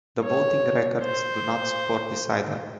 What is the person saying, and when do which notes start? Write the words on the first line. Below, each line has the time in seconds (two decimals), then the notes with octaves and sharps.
The voting records do not support this either.
0.24 C#5
1.03 C5